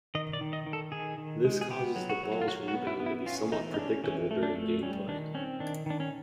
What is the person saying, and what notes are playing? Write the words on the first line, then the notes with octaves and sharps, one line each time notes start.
This causes the balls' rebound to be somewhat predictable during game play.
D#3 D#5
D5
D#3
D#5
D#3
A4
D#3 G#4
D#3
G#3
G#4
B3 G4
F#3
F#4
F#3
F4
F#3 F#4
F#4
B3
E4
B3
E4
C#4 F4
E3 D#4
D#4
C#4 D4
E3 C#4
A3
D4
A3
G3 C#4
D#3 D4
C4 C#4
D#3 D4
D#3 D4
C#4